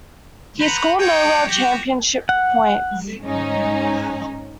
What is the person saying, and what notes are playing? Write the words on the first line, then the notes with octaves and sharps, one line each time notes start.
He scored no World Championship points.
B4 C5 F#5 A#5 B5
D#4 G#4 C#5 D5 G5
F#4 G4
F#5
G#2 C#4 D#4